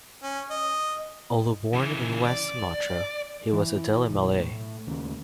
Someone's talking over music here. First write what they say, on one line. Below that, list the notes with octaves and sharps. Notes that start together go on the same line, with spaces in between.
Although born in West Sumatra, he was a Deli Malay.
C#4
D#5
C#3 E3
D5
E3
B1
A2
D#2 C#3